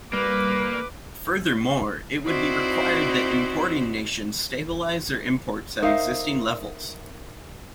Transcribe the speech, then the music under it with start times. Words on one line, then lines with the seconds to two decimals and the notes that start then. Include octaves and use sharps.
Furthermore, it would be required that importing nations stabilize their imports at existing levels.
0.13 G3 A#3 B4 D6
2.25 C4 D#4 E4 F#4 C5 D5
5.82 D#4 A#4 C5 E5 F5